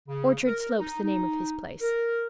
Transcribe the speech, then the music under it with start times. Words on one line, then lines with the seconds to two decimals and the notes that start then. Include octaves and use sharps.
Orchard Slope's the name of his place.
0.08 C#3
0.47 A#4
0.80 D#4
1.03 D#4
1.82 A#4